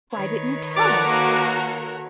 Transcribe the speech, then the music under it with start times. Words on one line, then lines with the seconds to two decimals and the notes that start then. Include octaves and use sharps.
Why didn't you tell us?
0.11 D#3 B4 C#5
0.76 F#4 A4 A#4 D5 D6
1.09 A#3